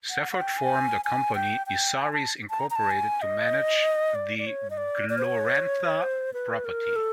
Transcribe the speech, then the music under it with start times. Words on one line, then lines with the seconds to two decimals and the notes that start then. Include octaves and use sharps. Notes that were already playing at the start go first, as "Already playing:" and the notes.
Stafford formed a company, Issaries, Incorporated to manage the Glorantha property.
0.10 F#5
0.32 F#5
0.42 G5
0.58 G#5
1.05 G#5
1.35 G5
1.67 G5
1.97 G#5
2.13 A5
2.50 A5
2.59 A#5
2.70 A#5
2.76 A5
2.91 G#5
3.22 D#5
4.15 D5
4.39 D5
4.47 C#5
4.70 D#5
4.77 D5
5.09 D5
5.18 C5
5.25 C#5
6.03 C5
6.34 B4
6.65 A#4
6.96 A4